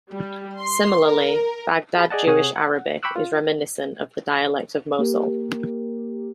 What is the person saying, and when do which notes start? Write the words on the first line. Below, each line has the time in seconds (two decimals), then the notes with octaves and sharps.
Similarly, Baghdad Jewish Arabic is reminiscent of the dialect of Mosul.
0.12 G3
0.59 C6
1.07 A#4
1.95 F#4 G#4 B5
2.10 G#4 D5 D#5 F#5 A5
2.27 C3 G#4 C#5 F#5 D#6
2.56 F#5
3.03 G5 B5 C#6 D6 E6 F#6
3.16 F4
4.99 A#3 G4 A#4